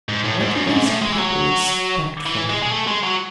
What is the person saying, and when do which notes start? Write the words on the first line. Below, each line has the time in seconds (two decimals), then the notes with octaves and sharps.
What did these people expect from him.
0.09 G#2
0.25 A2
0.41 G#2
0.55 F#2
0.67 F#2
0.70 G#2
0.86 A2
1.02 G#3
1.13 E3
1.18 F#3
2.26 E3
2.50 G#3
2.62 G#3
2.72 A3
2.87 G#3
3.03 F#3